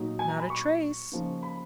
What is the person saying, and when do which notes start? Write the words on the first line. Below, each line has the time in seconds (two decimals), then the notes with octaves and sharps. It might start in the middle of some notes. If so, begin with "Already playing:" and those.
"Not a trace."
Already playing: A#2 F#3 A#3 D#4
0.19 G#5
0.29 A#5
0.40 B5
0.50 C#6
1.12 C#3 F3 A#3 D#4
1.43 B5